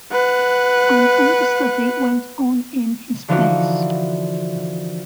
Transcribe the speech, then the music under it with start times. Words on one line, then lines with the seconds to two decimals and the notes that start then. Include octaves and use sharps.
An understudy went on in his place.
0.12 B4 F#5
3.28 D3 E3 F3 D#4 E4 F#4